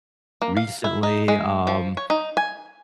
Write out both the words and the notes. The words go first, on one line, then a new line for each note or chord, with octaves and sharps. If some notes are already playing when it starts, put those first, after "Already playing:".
recently, um,
A#3
F5
E4
D#4
G#3
F3
C#5
D#4
G#5